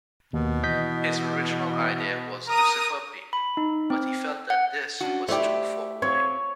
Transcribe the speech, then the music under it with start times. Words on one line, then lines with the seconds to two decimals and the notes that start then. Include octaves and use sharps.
His original idea was Lucifer Payne, but he felt that this was too foreboding.
0.33 D#2 B2
0.63 E3 D#5 G6 B6
2.47 A#4 A#5 D#6
3.33 B5
3.57 D#4
3.90 C4
4.50 F#5
5.01 C#4 D4 F#4
5.28 A3 E4 G4 C5 D5
6.02 C4 C#5